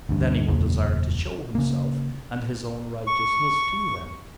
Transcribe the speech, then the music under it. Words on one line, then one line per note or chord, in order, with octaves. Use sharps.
Then He will desire to show Himself and His own righteousness to them....
D2 G2
E1 C#2 F#2 A#2
C#3 A#3
C#6